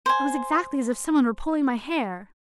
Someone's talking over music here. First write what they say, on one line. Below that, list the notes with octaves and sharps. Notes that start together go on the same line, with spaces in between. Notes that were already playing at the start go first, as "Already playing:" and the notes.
"It was exactly as if someone were pulling my hair."
C5 G#5